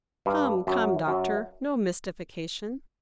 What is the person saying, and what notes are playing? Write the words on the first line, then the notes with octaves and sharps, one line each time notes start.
"Come, come, Doctor, no mystification."
G2
F#2
F#2